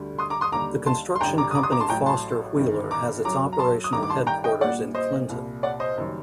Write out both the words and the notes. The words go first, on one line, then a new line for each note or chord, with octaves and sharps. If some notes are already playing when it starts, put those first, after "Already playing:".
The construction company Foster Wheeler has its operational headquarters in Clinton.
Already playing: D2 D3 G3
C6 D#6
A#5 D6
C6 D#6
D#2 D3 G3 A#5 D6
A5 C6
C6
A1 G2 D3 G3 G5 A#5
A#5 D6
D#6
A#5 D6
C6 D#6
A#5 D6
A5 C6
A1 A2 F#3 G5 A#5
A5 C6
G1 G2 D#3
A#5 D6
F#2 F#3 A#5 D6
A#5
A5 C6
D#6
A1 G2 D#3 G3 A#5 D6
D6
A5 C6
G5 A#5
D#5 G5
A#1 A#2 G3 D5 F#5
C5 D#5
C2 A#2 G3
D5 F#5
C5 D#5
F#1 F#2 D#3 G3